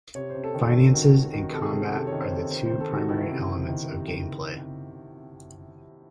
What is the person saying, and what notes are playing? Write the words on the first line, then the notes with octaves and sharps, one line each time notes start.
Finances and combat are the two primary elements of gameplay.
C3 C#5
C3 C5
A4
D#3
A4
D#3 A4
D#3 F#4
D#3
D#3 F#4
C3 A4
G#4
D#3
C3 A4
D#3 C#5
C5
C3 A4
D#3 C5
D#3 C5
A4
C3 F#4
D#3 E4
C3
C3
D#3
C3
D#3